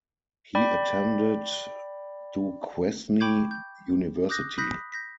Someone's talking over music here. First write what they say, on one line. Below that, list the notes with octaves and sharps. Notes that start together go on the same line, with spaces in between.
He attended Duquesne University.
D5 G5 B5
G5 B5 C#6 D6 G6 G#6
G6
D6 D#6 F#6 G6 A#6
B5 D#6 F#6 G6 A#6 B6
G6 A#6 B6